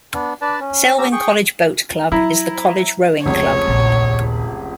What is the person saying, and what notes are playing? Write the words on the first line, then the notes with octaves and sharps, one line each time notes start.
Selwyn College Boat Club is the college rowing club.
B3 D4
D4 B4 D5 A5
C#4
C#4 G4 A#5 E6
G#4 G5 C#6
F#3 E4 A#5
F1 C#2 C#5
A#1 D#2